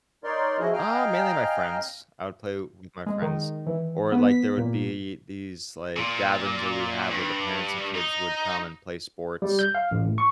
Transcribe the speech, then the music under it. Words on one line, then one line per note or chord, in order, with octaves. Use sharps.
Ah, mainly my friends. I would play with my friends, or, like, there would be these, like, gatherings that we'd have where the parents and kids would come and play sports,
D#4 A#4 C#5 D5 C6
F3 E4 F#4 G#4 D#5
D#5 F5 G5 G#5 A#5 F6
G#3
D#3
E3
B3
B6
A#2
A#2
G2
D#4
G3
G6
F5
A1
A2
C#6